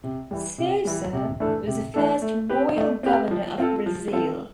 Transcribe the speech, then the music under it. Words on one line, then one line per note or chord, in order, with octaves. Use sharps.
Sousa was the first Royal Governor of Brazil.
C3
E3 G3
C3
E3 G3
C3
E3 A3 D4 A4
C3
E3 A3 D4 A4
A3
C4 G4 B4
A3
C4 G4 B4
F3
C4 F4 A4
F3
C4 F4 A4